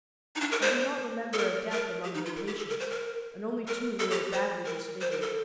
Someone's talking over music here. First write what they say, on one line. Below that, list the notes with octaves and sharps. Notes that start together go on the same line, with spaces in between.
I do not remember a death among her patients, and only two who were badly disfigured.
D#4
D4
A#4
C5
A4
A#4
A#4
G4
D#4
F4
A#4
G4
A4
A#4
C5
A#4
A#4
A4
G4
C5
A#4
C5
A#4
A4